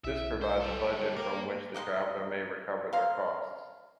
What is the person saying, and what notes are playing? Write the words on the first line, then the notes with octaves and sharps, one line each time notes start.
This provides a budget from which the traveller may recover their costs.
B1 E4 E5
C5
G3 A4
A#3 A#4 C5 G5 D6
D#4 D#5 F#5 C6
F5 A#5 C6